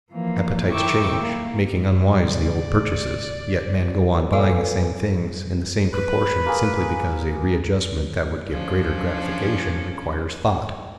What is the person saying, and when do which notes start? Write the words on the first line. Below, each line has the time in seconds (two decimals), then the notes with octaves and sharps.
Appetites change, making unwise the old purchases, yet men go on buying the same things in the same proportions simply because a readjustment that would give greater gratification requires thought.
0.12 E3 F3 A#3
0.70 D#3 E4 G5 C#6 D6 E6
1.20 A#3
2.23 D#2 A2 C#3 D5
4.33 A#2 A4 B4 C#5 F5 G#5
5.93 B4
6.46 A#3 G#4
8.52 F3 C#4 D4